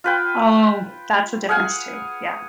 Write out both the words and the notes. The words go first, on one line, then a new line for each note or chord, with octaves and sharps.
Oh, that's a difference too, yeah.
F4 B4 G5
G#4 F5 F#5 G#5